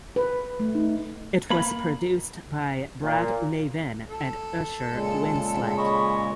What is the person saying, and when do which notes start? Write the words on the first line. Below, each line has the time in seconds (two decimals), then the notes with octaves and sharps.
It was produced by Brad Navin and Usher Winslett.
0.16 B4
0.60 A3
0.75 D#4
1.50 A#3 B5
3.01 A#2
4.08 A4
4.92 A#2 C#3 G#3
5.77 C#5 D#5 B5